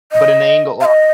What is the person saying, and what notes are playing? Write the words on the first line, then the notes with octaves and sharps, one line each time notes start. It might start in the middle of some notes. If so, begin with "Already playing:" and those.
but an angle of
D#5
F5
D#5